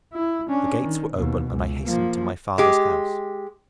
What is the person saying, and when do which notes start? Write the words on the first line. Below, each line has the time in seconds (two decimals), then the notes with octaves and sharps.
The gates were open, and I hastened to my father's house.
0.13 E4
0.48 C#4 D4
0.81 D#3
1.14 D#2 B2
1.51 C#2
1.83 F3 A#3
2.58 G#3 G4